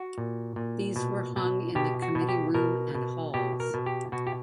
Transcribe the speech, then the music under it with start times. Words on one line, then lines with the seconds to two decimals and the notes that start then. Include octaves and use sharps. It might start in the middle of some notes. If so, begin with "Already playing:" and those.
These were hung in the committee room and halls.
Already playing: F#4
0.18 A#2
0.56 A#2
0.96 B2
1.36 B2
1.75 B2 G4
2.02 F#4
2.15 B2
2.29 G4
2.54 B2 A#4
2.95 B2
3.34 B2 G4
3.60 A#4
3.74 B2
3.86 G4
4.12 B2 F#4
4.27 G4